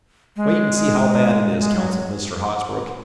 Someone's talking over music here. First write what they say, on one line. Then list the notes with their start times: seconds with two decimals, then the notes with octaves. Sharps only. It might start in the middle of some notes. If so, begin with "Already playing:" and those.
"Wait and see how bad it is," counseled Mr. Hosbrook.
0.36 G#3
1.59 G#3
1.75 F#3